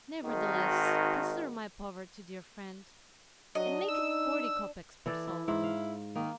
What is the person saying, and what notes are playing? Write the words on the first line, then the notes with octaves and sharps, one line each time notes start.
"Nevertheless, consider my poverty, dear friend, and make it FORTY kopecks per soul."
G#1 D#3 F#4
F#3 D4 D#5
D#4 E6
E3 A4 D5
E4
G#2 E4
F5
D#3 A#3